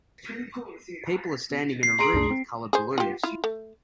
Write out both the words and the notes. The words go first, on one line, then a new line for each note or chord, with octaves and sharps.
People are standing in a room with colored balloons.
C7
G#4 A#5 C6 D7
C2 F#2 D4
C4
G#4 C5
F4 G4
E4 F4
A3